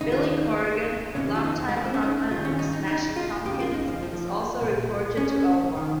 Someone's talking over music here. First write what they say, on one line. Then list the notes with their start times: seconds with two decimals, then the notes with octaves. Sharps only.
Billy Corgan, longtime frontman of The Smashing Pumpkins, is also reported to own one.
0.01 D#2 C#3 D#4
0.12 F4
0.23 D#4
1.15 F2 C3 D#3 C#4
1.35 F4
1.44 D#4
1.69 G#3
1.77 A#3
1.85 C4
1.94 C#4
2.02 D#4
2.31 G2 D#3 F4
2.45 C#4
2.59 D#4
2.73 D#4
2.88 D#4
3.16 F4
3.45 F2 C#3 G4
3.60 F4
3.74 D#4
3.88 F3
4.03 F3
4.61 C2 A#2
5.17 C#4
5.77 D#3